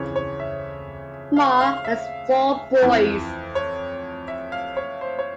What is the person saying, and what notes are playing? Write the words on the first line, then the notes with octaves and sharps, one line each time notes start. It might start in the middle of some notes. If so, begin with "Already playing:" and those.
Mohr has four boys.
Already playing: F2 C#3 E3 C#5
C#5
E5
F5
F5
E5
F2 E3
C#5
E5
F5
C#5
C5
C#5